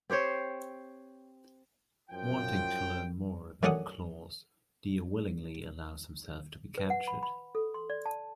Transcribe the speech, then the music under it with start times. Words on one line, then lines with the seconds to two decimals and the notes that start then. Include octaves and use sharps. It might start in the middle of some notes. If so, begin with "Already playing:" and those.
Wanting to learn more about Claus, Dio willingly allows himself to be captured.
0.10 C4 G4 C5 C#5
2.10 F#2 F3 F4 G5
3.63 F#2 A3 C#4 D4 F#5 D#6
6.78 B4
6.90 F#5
7.08 B5
7.23 B5
7.55 A4
7.74 C6
7.90 D5
8.06 A5